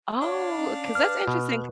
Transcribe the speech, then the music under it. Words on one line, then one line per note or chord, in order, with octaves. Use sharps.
Oh, 'cause that's interesting
D4 C#5 D5 F5
C#4
B4 F6
B2